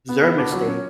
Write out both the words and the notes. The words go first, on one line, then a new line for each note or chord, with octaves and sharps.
their mistake
B3
B3
D3 D6
F#3
C#4